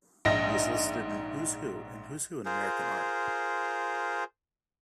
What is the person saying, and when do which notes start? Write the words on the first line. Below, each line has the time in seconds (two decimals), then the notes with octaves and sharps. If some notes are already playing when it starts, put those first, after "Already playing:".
He is listed in "Who's Who" and "Who's Who in American Art".
0.25 A#1 G#2 D#4 D#5 E5 A#6
2.45 F4 G#4 A#4 C5